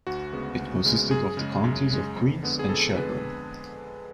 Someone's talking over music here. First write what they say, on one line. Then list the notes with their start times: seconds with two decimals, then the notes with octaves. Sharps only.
It consisted of the counties of Queens and Shelburne.
0.07 D2 F#4
0.33 C#3 G#3 B3
0.59 D2
0.85 C#3 G#3 B3
1.11 F#2 G#4
1.37 C#3 G#3
1.64 F#2
1.90 C#3 G#3
2.16 F2
2.43 D3 G#3 B3
2.59 G#4
2.69 F2 A4
2.95 D3 G#3 B3 B4